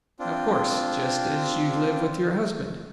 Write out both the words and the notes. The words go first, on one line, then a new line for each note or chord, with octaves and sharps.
"Of course--just as you live with your husband."
C4 D4 F4